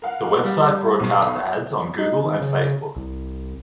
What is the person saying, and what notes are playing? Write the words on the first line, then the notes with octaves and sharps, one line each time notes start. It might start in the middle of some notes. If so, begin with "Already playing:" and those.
The website broadcast ads on Google and Facebook.
A#4 F5 F#5
G3
B1
D#4
D#3
C#3
C2